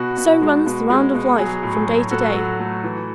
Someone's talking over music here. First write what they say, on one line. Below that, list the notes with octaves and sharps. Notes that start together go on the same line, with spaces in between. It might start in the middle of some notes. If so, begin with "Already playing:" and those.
So runs the round of life from day to day.
Already playing: B2 F#4
B2
G#3
B2
G#3
B2
F#3 G#4
A2
G#4
F#3
A2 F#4 A4
F#3
A3
E3